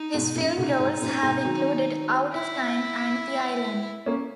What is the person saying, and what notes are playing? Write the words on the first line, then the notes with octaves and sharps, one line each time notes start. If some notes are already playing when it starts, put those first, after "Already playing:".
His film roles have included "Out of Time" and "The Island".
Already playing: D#4
G#2 B2
F#2 A#2
A#2 C#3 D#4
G#2
F#2 A#2
G#2 B2
D#3 F#3
E4
A#3 C#4